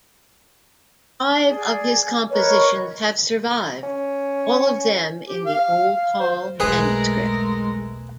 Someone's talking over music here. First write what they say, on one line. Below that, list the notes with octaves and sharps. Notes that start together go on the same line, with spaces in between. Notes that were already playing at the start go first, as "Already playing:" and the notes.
Five of his compositions have survived, all of them in the Old Hall Manuscript.
G#4 D5
A#4 B4 C#5 D#5
C#4
G4
F5
F5
C5
B1 E2 G#3 A3 G#4 A#4 B4